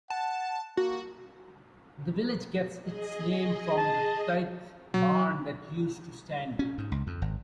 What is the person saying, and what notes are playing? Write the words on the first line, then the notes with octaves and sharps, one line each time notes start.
The village gets its name from the tithe barn that used to stand there.
F#5 A5
A#3 F#4
G#4 D#5
A5
F#3
C#4
G#2
C#2
F2
G#1